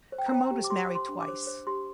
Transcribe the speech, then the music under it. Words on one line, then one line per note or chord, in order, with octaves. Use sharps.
Kermode was married twice.
C5
G5
A#5
C5 G5
A#5
G4
D6
G4 C6
C5
C6
D4
D6
C5
C5
G4 C6